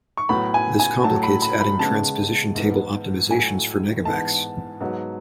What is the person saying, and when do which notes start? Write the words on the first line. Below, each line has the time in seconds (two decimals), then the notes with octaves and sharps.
This complicates adding transposition table optimizations for negamax.
0.17 C#6
0.29 A2 F#3 B3 B5
0.54 G#5
0.79 G#5
1.04 A2 F#3 A3 A5
1.23 B5
1.42 B5
1.61 B5
1.79 C#3 G#3 B3 A5
2.55 G#2 E3 B3
3.31 A2 F#3 A3 G#5
4.05 G#2 E3 B3 A5
4.81 G#2 F#3 B3